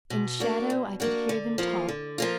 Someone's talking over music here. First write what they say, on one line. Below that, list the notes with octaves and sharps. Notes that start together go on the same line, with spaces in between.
In shadow, I could hear them talk.
B2
A#3 D4 F#4
B2
A#3 D4 F#4
D3
F3 A#3 F4
D3
F3 A#3 F4